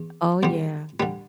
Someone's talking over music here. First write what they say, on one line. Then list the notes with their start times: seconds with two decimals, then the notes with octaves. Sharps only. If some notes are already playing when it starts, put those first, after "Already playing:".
Oh, yeah.
Already playing: E2
0.43 E2 D3 G3 C5
1.00 D3 G3 B4